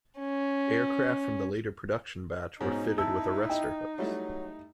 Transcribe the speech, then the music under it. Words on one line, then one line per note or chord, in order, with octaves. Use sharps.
Aircraft from the later production batch were fitted with arrestor hooks.
C#4
G#2 B2 C#4 D#4
E4 A5 E6
D#5 G5
F#3 G3 A3 E4